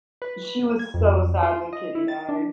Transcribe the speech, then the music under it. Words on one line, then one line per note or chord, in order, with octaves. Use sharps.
She was so sad when Kitty died.
B4
G#6
F2
F4
D#5
E4
A6
D4